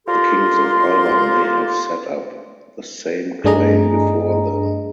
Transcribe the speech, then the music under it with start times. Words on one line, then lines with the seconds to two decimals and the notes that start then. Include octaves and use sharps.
The kings of Alba may have set up the same claim before them.
0.07 F4 G4 A4 A#4 D5 C6
3.44 G2 A3 D4 G#4 D#5 A#5